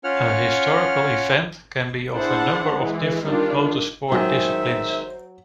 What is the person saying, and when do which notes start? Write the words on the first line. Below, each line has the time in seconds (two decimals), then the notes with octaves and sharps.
A historical event can be of a number of different motorsport disciplines.
0.04 C#4 F4 C#5 F#5 F6
2.12 D4 E4 G#4 C5 F#5 A5
2.73 E3 G#3
3.25 D#3 G3 D4 D#4 F4
4.12 D#3 F#3 G#3 C5 E5